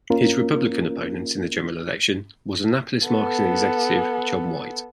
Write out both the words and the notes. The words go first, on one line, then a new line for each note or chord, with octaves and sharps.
His Republican opponent in the general election was Annapolis marketing executive John White.
A#3 C#4 F4 A#4
B3 A4